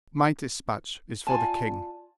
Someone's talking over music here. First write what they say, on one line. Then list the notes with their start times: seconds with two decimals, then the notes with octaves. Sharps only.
"My dispatch is for the king."
1.27 F4 D5 G#5 A5